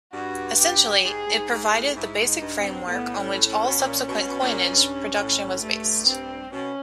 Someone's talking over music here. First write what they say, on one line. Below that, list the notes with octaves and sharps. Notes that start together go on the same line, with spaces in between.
Essentially, it provided the basic framework on which all subsequent coinage production was based.
G2 F#4
G4
G#2 G#4
G#2
G#2 G#4
A2
G#2 E4
D#4
G2
C4
A2 B3
C#4
C#4
B2
A#2
B2
A#2
G2
A2
G2 A3
C4
B2 C#4